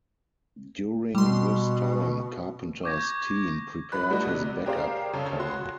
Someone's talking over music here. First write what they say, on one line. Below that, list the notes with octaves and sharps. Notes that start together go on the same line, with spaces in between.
During this time, Carpenter's team prepared his back-up car.
B2 G3 C6
C#6 D6 G6 G#6 A#6
F3 B4 B5 F#6
G3 A3 D4 D#4 F#4
C3
G4 G#4 A#4 C5 D5 F5
C#3 C#4 A4
F#4 C6